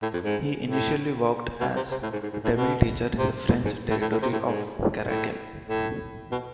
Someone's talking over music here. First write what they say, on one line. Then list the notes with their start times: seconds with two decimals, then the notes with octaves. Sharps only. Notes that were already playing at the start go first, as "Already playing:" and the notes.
He initially worked as a Tamil teacher in the French territory of Karaikal.
0.03 A2
0.14 F2
0.24 G#2
0.65 A2
1.61 B2
1.76 C3
1.91 C3
2.03 A2
2.13 G#2
2.23 G#2
2.33 G#2
2.44 A2
2.55 B2
3.18 C3
3.48 A2
3.65 G#2
3.91 A2
4.02 A2
4.12 A2
4.22 C3
4.33 A2
4.44 G#2
5.07 A2
5.69 A2
6.32 B2